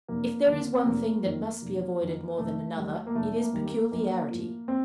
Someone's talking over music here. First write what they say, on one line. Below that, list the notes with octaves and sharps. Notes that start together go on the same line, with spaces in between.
If there is one thing that must be avoided more than another, it is peculiarity.
F1 A#3
D#2 D3
C4
F1 A#3
F2 D#3
F1
F2 D#3
F1 A3
D#2 D#3 G3
A#3
F1 A3
A#3
D#2 D#3 G3
A#3
A#1 A#3
A2 F3
C4